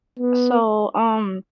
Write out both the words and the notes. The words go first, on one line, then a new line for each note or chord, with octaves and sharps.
so, um,
B3